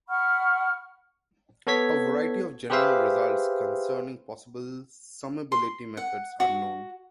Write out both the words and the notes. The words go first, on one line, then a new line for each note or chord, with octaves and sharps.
A variety of general results concerning possible summability methods are known.
F#5 B5 C#6 F6
B3 A4 C#5 G#6 B6
G4 G#4 B4 C5 E5 F5
C6
F#5
F#4